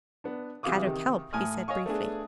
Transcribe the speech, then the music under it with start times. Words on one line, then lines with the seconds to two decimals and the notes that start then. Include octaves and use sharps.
"Kadok help," he said briefly.
0.24 B3 D4
0.63 C3 E3 F#4 F5 D6 D#6
0.84 C3 D#3
1.33 A2 G#5 D#6 F6
1.68 C#5 D#5 F5 G#5 C#6
1.86 A3 B3 D4 G#4